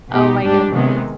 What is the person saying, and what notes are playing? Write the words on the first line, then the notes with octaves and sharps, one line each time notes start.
Oh my goodness.
B2 B3 D#4 G4
G#2 G3 D4 G4
C3 D#3 G#3 B3